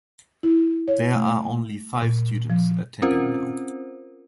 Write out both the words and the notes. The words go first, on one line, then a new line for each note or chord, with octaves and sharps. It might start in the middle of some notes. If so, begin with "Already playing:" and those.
There are only five students attending now.
E4
C#5
A3
A#2
F3
C4 C#4 F4 A#4 C5